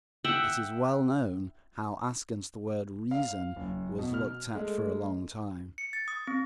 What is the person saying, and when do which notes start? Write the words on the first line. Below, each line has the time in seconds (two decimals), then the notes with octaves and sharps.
It is well known how askance the word "reason" was looked at for a long time.
0.24 E5 F#5 G5
3.11 F5
3.56 F#1
3.98 B2
4.14 F6
4.55 G#3 A3
5.78 C#7
5.93 A6
6.08 D#6
6.27 C4